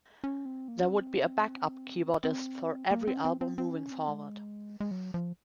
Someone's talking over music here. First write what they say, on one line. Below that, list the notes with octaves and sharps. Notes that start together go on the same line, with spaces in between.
There would be a backup keyboardist for every album moving forward.
C#4
C4
A#3
C#4
C4
C4
A#3
C4
C#4
C4
C4
C4
C#4
C4
G#3
G#3
F#3
F3